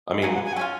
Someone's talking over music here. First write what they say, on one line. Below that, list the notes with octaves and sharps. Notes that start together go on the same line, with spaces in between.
I mean
C#3 F#3 B3 G#5
F#5
G#5
F#5
A3 C#4 F4 G#5